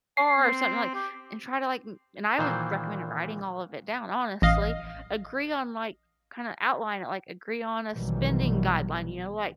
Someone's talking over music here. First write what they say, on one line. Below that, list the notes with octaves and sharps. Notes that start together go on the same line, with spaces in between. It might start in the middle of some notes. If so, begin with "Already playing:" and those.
bar or something, like and try to, like m and, I would recommend writing all of it down, honestly. Agree on, like kinda outline it, like, agree on a spending guideline, you know, like,
C7
C4
G4
A#2 D#3 E3 C5
A1 D#5 F5
A#1 B2 D#3 E3 F#3 G3